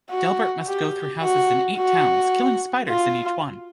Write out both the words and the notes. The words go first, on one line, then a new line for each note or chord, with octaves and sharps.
Delbert must go through houses in eight towns, killing spiders in each one.
F#4
G4
F#4
F#4
F4